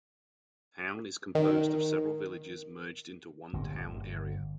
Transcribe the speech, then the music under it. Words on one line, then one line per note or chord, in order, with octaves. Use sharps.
The town is composed of several villages merged into one town area.
D#3 A#4
G1 A#2